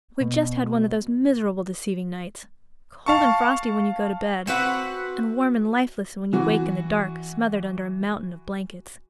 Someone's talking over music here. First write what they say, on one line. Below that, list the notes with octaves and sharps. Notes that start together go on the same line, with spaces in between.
We've just had one of those miserable deceiving nights--cold and frosty when you go to bed, and warm and lifeless when you wake in the dark, smothered under a mountain of blankets.
B2
F5 A5 C#6
C4 F#4 B4 F#5
E3 F#4